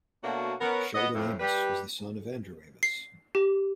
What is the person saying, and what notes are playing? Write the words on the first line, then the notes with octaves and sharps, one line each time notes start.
Sheldon Amos was the son of Andrew Amos.
B2 A3 A#3 D4 F#4 C#5
B3 C#4 A#4
B3 D#5
F2 A2
G3 G4 B4
C7
G4